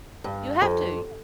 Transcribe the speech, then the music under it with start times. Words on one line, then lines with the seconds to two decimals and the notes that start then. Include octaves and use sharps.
You have to.
0.24 G2
0.62 F2